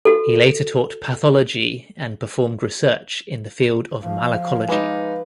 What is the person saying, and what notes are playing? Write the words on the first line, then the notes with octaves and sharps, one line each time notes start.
He later taught pathology and performed research in the field of malacology.
F#4 A4
F3 F5
G#3 D#4 B4 D6